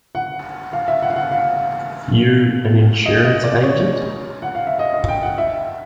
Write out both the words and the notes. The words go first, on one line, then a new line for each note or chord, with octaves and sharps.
You an insurance agent?
F#5
F5
E5
F#5
F5
F#5
F5
D#5
D#5
D5
C#5
F#5
F5
E5
D#5
D#5
G5
F#5
E5